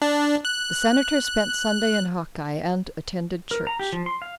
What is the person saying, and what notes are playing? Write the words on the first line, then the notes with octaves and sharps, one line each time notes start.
The Senator spent Sunday in Hawkeye and attended church.
D4
F#6
A#4
A#5
G4
F3
C6
F5